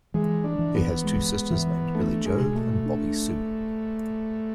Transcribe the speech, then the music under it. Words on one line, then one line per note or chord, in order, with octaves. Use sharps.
He has two sisters named Billie Joe and Bobby Sue.
E3 G#3
D4
E3
B3
G#3
E3
A3 D4
G#3
B2
A3
D4